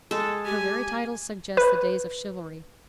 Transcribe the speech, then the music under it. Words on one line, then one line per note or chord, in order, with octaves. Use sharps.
Her very titles suggest the days of chivalry.
G#3 A4
G4 G#5
B4